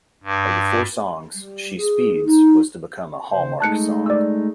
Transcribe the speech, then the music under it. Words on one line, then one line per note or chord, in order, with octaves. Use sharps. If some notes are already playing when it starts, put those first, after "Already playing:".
Of the four songs, "She Speeds", was to become a hallmark song.
G2
G3
G#4
D#4
C#3 C5
G#3 A3 D#4 A5 F#6 C#7
D5 E6